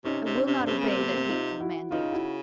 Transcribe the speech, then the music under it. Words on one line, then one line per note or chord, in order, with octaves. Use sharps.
I will not obey the hateful mandate!
C3 C#4 D#4
C3
C4 D4
C3
D4
C3 B3 C#4
C#3 A#3 C4
C3
A3 B3
A#3 C4
D#4 F4
E4 F#4
C#3 D#4 F4
E4 F#4